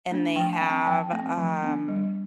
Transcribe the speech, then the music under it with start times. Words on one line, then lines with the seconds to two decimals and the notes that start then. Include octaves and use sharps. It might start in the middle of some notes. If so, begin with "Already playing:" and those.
And they have, um
0.11 A3 D4
0.36 F3 G5
0.53 A5
0.61 C4
0.70 A5
0.87 F3 G5
1.12 A3 C4
1.37 F3
1.63 B3 D4
1.88 G3